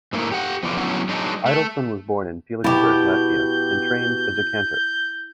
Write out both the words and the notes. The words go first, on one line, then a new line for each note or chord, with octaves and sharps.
Idelsohn was born in Feliksberg, Latvia and trained as a cantor.
G#2 D3 A3 A#3 D#4 E4
G4 F#5
F2 F3 F#3 B3 F4 D5
D3 F#3 A3 B3 C#4 E4
F#3 G#3 D4 D#4
A3
B2 E4 G4 G6